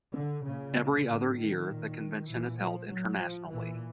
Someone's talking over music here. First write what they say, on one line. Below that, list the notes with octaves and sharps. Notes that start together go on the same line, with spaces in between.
Every other year, the convention is held internationally.
D3
A#2 C#3
A2 D3
D#3
A#2
A#2 E3
F3
A2 F#3
F3
A#2 E3